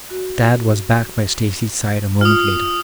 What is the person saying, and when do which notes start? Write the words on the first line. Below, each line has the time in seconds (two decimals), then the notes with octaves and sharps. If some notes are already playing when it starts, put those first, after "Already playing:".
Tad was back by Stacy's side a moment later.
0.10 F#4
2.21 F4 D#6 F6